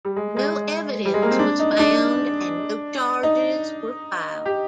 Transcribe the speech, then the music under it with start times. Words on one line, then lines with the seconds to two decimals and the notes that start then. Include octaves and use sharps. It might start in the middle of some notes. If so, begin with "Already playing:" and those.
No evidence was found and no charges were filed.
0.05 G3
0.16 G#3
0.37 G#3
1.05 G3
1.14 G#3
1.22 A#3
1.31 C4
1.39 D4
1.59 D#4
1.72 D#4
1.79 D4
3.23 D#4
4.46 G4